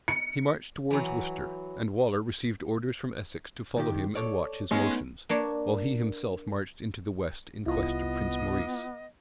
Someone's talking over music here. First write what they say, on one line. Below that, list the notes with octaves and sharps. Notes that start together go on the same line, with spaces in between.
He marched towards Worcester; and Waller received orders from Essex to follow him and watch his motions, while he himself marched into the west, in quest of Prince Maurice.
C#7
E3 F#3
C2 D#3 G4
A4 C#5 D5
G#3 A3 B3 C#4 D#4
A#3 D4 C#5
C2 B3 E4 F4 D#5